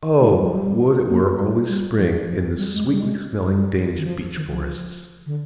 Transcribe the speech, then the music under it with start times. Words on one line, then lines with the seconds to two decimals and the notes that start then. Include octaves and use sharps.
"Oh, would it were always spring in the sweetly-smelling Danish beech-forests!"
0.20 G#3
0.32 G3
0.43 F3
0.55 G3
1.09 A#3
1.39 G3
1.69 G3
1.98 F3
2.28 F3
2.58 G3
2.73 G#3
2.86 G3
3.00 G#3
3.47 G3
3.97 D#3
4.06 F3
4.36 D#3
4.51 F3
5.26 D3